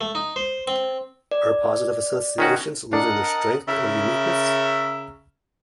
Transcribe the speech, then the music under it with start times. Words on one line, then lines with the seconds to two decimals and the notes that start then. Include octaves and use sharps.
Are positive associations losing their strength or uniqueness?
0.01 A3
0.15 D#4
0.36 C5
0.67 C4
1.31 D5
2.38 D#3 C#4 F#4
2.93 D4 A#4 D#5 F#5 A5
3.68 C#3 A#4 E5